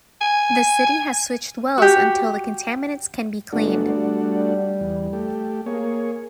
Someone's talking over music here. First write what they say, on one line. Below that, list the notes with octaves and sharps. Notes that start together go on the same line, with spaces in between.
The city has switched wells until the contaminants can be cleaned.
G#5
F#4 G4
G1 A3 D4 F#4
G3
E2
A3 G4
A#3 G#4 C#5